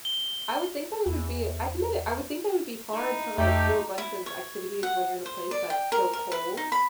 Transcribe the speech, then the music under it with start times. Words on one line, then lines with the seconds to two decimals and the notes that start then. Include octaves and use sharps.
I would think that it would be I think that it I would think that it would be hard to, like, do a bunch of activities when you're in a place that's so cold,
0.05 G7
1.06 E2
2.93 D#4 E4
3.38 F2 A3 D#4 G4
3.98 E4
4.26 C#5
4.83 F#5
5.26 C5
5.51 D5
5.70 G5
5.92 A#4
6.13 A#4
6.32 B4
6.57 D#4
6.72 B5